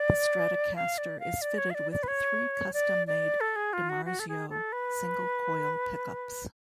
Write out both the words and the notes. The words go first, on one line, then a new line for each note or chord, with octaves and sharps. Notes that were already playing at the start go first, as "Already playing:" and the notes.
The Stratocaster is fitted with three custom made DiMarzio single coil pickups.
Already playing: D5
F5
D5
F5
D5
C#5
F5
D5
D5
B4
C#5
D5
D5
A4
G#4
F4
F#4
F#4
A4
G#4
A4
B4